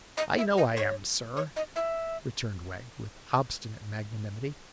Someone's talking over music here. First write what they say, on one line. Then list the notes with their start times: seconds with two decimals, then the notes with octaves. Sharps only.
'I know I am, sir,' returned Wegg, with obstinate magnanimity.
0.17 D#5
0.38 E5
0.57 D#5
0.77 C#5
1.37 C#5
1.56 D#5
1.76 E5